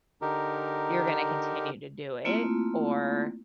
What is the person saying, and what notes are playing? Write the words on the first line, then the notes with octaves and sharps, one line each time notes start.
you're gonna continue to do it, or
D3 D#4 G4 A#4
A3 A#3 C4 E4 F4